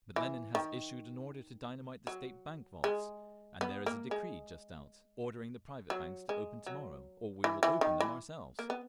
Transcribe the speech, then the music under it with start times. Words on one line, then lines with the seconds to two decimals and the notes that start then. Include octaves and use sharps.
"But Lenin has issued an order to dynamite the State Bank vaults, and there is a Decree just out, ordering the private banks to open to-morrow, or we will open them ourselves!"
0.16 E3
0.55 D#3
2.07 F#3
2.84 G#3
3.61 B3
3.86 A#3
4.11 G#3
5.90 F#3
6.29 G#3
6.66 F#3
7.44 E3
7.63 E3
7.81 D#3
8.00 E3
8.59 A#3
8.70 B3